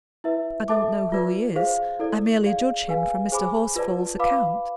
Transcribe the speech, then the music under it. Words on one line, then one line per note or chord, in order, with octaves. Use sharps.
I don't know who he is; I merely judge him from Mr. Horsfall's account.'
E4 B4 E5
A4 E5 A5 D6
F4 B4 D5
G#4 C5 F5
E4 A4 D5
G#4 D5 F5
G#4 B4 F5 G#5
G#4 C5 G#5 B5 D6
F4 B4 D5 A5
B4 F5 B5 D6